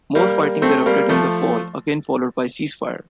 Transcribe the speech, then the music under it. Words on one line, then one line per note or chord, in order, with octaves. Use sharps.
More fighting erupted in the fall, again followed by a ceasefire.
G3 A#3
A3 C4
G3 A#3
F3 A3